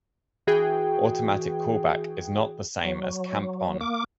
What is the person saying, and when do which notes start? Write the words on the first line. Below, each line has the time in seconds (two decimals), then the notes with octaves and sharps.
Automatic callback is not the same as camp-on.
0.47 E3 F#4 G#4 G5
2.84 F#3
3.81 A#3 D6